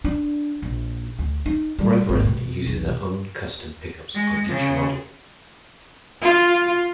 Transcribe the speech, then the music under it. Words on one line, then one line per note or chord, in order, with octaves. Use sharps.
Reverend uses their own custom pickups on each model.
D4
A#1
D2
D#4
G3
G#1
B2
B1
G#3
C#3
F4